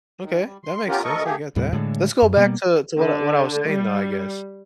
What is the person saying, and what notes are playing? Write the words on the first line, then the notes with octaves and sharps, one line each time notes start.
Okay, that makes sense, I get that. Let's go back to to what what I was saying, though, I guess.
D#3
G3
C6
B3 C#4 F4 G4 A#4
D2 A4 A#4 D#5 C#6
A3 A#3 G4 G#4
D#2 A2 C3 G3
A2 D3 G#3
F#2
B2 G3 A#3 B3
D3
G3